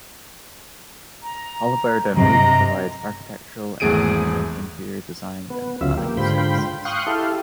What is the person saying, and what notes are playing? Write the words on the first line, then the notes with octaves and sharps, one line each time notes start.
Holabird and Root provides architectural, engineering, interior design, and planning services.
A#5
G2 C3 F#3 D#5 A#5
G#1 E2 A3 G#4 D7 D#7
B3
D2 C#3 F#3 F4 E5
A#3 G4
G#2 D3 F4 C5 G5 B5
F5 G5 C6 C#6 D#6 F#6
E4 G4 A4 F5